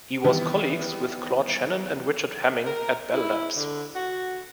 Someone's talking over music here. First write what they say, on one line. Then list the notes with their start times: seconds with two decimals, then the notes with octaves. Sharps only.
He was colleagues with Claude Shannon and Richard Hamming at Bell Labs.
0.24 D#3 E3 G3 B3 E4
2.66 A#4
3.13 E4
3.56 D3
3.95 F#4